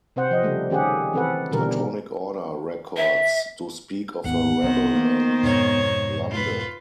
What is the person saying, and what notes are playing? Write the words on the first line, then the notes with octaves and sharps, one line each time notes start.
Teutonic Order records do speak of a rebel named Glande.
C3 C4 C5 F#5
F3 D#5
C#3 G3 A3
D#3 C#4 G4 G#4 F#5
E3 C4 A4 B4 F#5
B2 D3 E3 G3 A#4
E5
G#1 D#2 B3 F#5
C2 D#3 F3 C4 C5
A#3
F2 G#2 B2 C#5
F4 B4